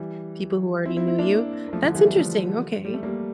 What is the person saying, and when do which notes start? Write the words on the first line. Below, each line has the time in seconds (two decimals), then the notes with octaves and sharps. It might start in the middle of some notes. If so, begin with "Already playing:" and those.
people who already knew you. That's interesting. Okay.
Already playing: E3 G3
0.85 C4 E4
0.97 C4 E4
1.07 C4 E4
1.19 A#3 D4
1.68 A#3
1.73 F3 A3
1.83 D3 F3
1.94 E3 G3
2.05 E3 G3
2.16 F3 A3
2.85 G3
2.94 A3
3.03 G3 A#3